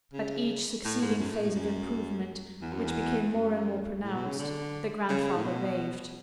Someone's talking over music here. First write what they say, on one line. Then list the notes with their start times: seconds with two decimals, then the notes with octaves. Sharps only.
At each succeeding phase of improvement, which became more and more pronounced, the grandfather raved.
0.13 C#3
0.85 A2
1.02 G#2
1.19 F#2
1.31 A2
1.43 A2
1.55 F#2
2.62 E2
2.73 F#2
2.85 E2
3.32 F#2
4.03 A2
4.15 B2
4.26 C#3
4.39 D3
5.09 C#3
5.37 A2
5.44 B2